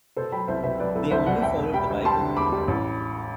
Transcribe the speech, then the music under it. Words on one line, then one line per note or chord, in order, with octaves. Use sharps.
They only followed the Bible.
B2 A4 C5
F#3 G5 B5
C2 C5 E5
B2 C5 E5
F#3 B4 D5
C2 A4
C2 C5 E5
B2 D5 F#5
E1 E5 G5
E1
G3 G5 B5
D2
G3 A5 C6
D3
E1 B5 D6
G3
A1